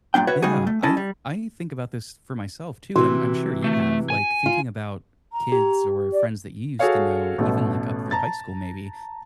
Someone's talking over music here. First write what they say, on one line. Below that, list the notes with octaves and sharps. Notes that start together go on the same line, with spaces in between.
Yeah. I th I think about this for myself too, and I'm I'm sure you have, like, thinking about kids or friends that you used to know, even, like, up through high school maybe,
G2 A#2 D4 G5
F#4 B4 C#5 E5
C#3 G3 D#4 F#4 G#4
A3
C#4 E4 D#5 A5
G3
C3 E3 F#4
A3
G#5
F4
A#5
G4
D5
F#4 G#4 A4 C#5 F5
A1 B2 A3
A5 A#5 A6